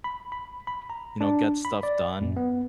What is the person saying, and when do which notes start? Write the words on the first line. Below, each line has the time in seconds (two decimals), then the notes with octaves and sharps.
you know, get stuff done
0.04 B5
0.32 B5
0.67 B5
0.90 A#5
1.21 D4
1.65 B5
1.83 D5
2.21 F#2
2.37 B3